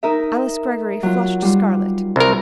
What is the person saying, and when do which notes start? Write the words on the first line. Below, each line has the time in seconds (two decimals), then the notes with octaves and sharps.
Alice Greggory flushed scarlet.
0.03 D#4 A#4 E5
1.03 F#3 F4
1.42 G3 F4
2.16 C2 A#4